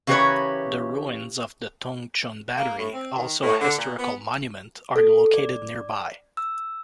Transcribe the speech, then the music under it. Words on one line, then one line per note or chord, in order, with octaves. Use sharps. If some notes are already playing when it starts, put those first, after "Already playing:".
The ruins of the Tung Chung Battery, also a historical monument, are located nearby.
C#3 E3 G4 A#4 B4 C#5
A#3
A2
C4
D#3
A2
D3
A#2
B3
A4
D5
E6